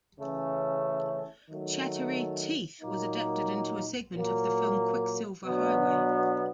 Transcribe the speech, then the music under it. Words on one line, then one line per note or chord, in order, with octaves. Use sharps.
"Chattery Teeth" was adapted into a segment of the film "Quicksilver Highway".
C#3 E3 A3 C#4
D#3 F#3 A3
A#2 F#3 A#3 D#4
A#2 F#3 A#3
B2 F#3 B3 D4